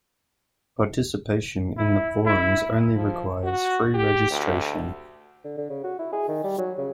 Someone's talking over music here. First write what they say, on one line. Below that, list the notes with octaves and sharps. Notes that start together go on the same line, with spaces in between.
Participation in the forums only requires free registration.
E4
E4
F3
F#4
G4
D2
D3
D3
C#3
F#4
E4
G#4
D#3
G3
F#3
C#3